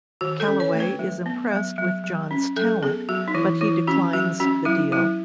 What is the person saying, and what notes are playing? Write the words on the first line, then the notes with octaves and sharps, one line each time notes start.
Calloway is impressed with John's talent, but he declines the deal.
D#3 F#4
A4
C#4
C#5
A3
B4
F#3
B3
F#3
F#3
F#3
C#4
F#3 A4
B3 G#4
F#3 F#4
D#4
E3 E4
E3 E4
C#4 F#4
F#3 F#4
C#4 F#4
F#3 E4
F#3 E4